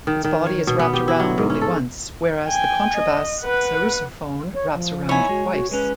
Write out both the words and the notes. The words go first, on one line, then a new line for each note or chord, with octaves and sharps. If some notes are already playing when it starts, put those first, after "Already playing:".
Its body is wrapped around only once, whereas the contrabass sarrusophone wraps around twice.
D#3
D#3
C#5
B2
B3
G4
E4
F#3
G#2
C#4
A4
G5 G#5
D#5
B4 F#5
C#5
F3
B3 D#4 E4 C#5 G#5
G#3 F#4
F#4
G#3 C#4 B4